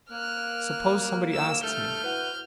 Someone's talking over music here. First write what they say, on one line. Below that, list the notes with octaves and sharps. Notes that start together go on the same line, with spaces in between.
"Suppose somebody asks me?"
A#3 F6 F#6
E6 E7
G2 A3 F6 G6
E4 F#4 B4